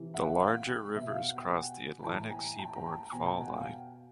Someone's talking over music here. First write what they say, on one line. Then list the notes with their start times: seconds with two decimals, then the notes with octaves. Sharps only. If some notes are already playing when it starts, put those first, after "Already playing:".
The larger rivers cross the Atlantic seaboard fall line.
Already playing: C3 E3
0.14 E5 F#5
0.41 F5 G5
0.96 B2 E5
1.10 F5
1.23 F#5
1.36 G5
1.50 F#5 G#5
2.04 A2 E3 G5 A5
2.31 G#5 A#5
2.59 G5 A5
2.76 A#5
2.86 G5 A5
3.12 B2 G#5 A#5
3.26 G5 A5
3.40 F#5 G#5
3.53 F5 G5